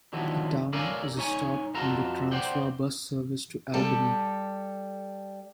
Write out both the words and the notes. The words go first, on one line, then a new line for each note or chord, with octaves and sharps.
The town is a stop on the Transwa bus service to Albany.
D3 D#3 F3 F#3 B3 E4
A4 A#4 C#5 D5 F5 G#5
D#4 C#5 G#5
F2 F4 F#4 A4 A#5
C5 D5 F#5 G5
G3 A4